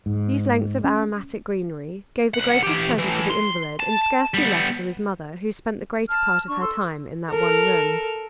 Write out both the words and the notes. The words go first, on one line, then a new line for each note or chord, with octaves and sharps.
These lengths of aromatic greenery gave the greatest pleasure to the invalid, and scarcely less to his mother, who spent the greater part of her time in that one room.
G#2
C#4
C2 F#5
E3 G4
A2 E3
C6
A5
G3 B3
A5 F6
D4 C#6
A4 C6 E6
A4 A#4